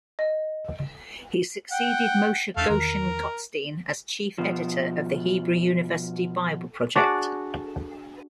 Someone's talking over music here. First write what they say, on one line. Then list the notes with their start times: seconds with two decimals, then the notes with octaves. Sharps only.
He succeeded Moshe Goshen-Gottstein as chief editor of the Hebrew University Bible Project.
0.19 D#5
1.72 F#5 G5
2.57 E2 A3 D4 A4 F5
2.69 E2 D#3 A#4
4.38 B2 F3
6.96 D4 F#4 G#4 D5